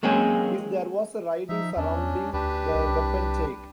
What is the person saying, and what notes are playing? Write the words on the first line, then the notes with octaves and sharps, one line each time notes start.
If there was a riding surrounding the wapentake.
F#3 G#3 A#3 C4 C#4 G#4
F3 D#4 E5
E2 C#4 D4
D2 D4 G4 B4
C2